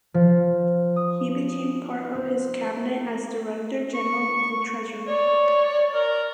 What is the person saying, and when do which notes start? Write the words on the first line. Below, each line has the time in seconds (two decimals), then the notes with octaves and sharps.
He became part of his cabinet as director general of the treasury.
0.14 F3
0.96 D#6
2.15 C4
3.94 C#6
5.07 C#5 D5
5.94 A#4